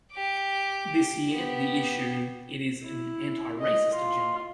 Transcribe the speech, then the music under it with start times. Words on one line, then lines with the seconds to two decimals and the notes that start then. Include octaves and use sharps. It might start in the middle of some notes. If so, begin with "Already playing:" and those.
This year, the issue it is an anti-racist agenda.
0.13 G4 D6
1.33 B3 G4
2.83 E4
3.59 D#5
3.95 F4